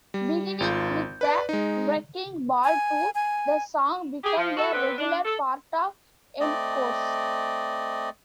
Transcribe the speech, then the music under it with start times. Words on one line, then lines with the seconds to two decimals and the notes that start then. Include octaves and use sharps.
Beginning with the Wrecking Ball tour, the song became a regular part of encores.
0.14 G3
0.60 G#1 F4 G6
1.21 B4 D5
1.49 G#3 D#4
2.64 G#5
3.15 G#5
4.23 G4 G#4
4.37 F3
4.57 F#4 A4
4.72 D3 B3 C4 B4
4.98 D4
5.25 A4
6.40 A3 C4 D5 D#5